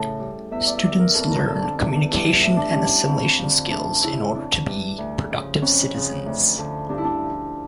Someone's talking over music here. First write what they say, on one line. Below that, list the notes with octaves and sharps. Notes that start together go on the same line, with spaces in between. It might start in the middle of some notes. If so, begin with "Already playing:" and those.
Students learn communication and assimilation skills in order to be productive citizens.
Already playing: A2 C#3 A4
G3
E2 E5
D5
E5
E3 G3 D5
A#4
F2 A4
A#4
D3 F3 A4
D4
E2 D4
D4
E3 G3 E4
A2 E4
D4
G3 C#4
D4
F2
D3 F3
D2 D4
C#3 E3 E4
F2 D4
E3 G3
D2
C#3 F3
F2 C#4
C#3 F3
D2
D3 F3
G2 D4
E4
D4
F3